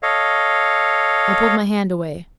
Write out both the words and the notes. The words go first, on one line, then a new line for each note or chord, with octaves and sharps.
I pulled my hand away.
A4 C#5 D#5 F5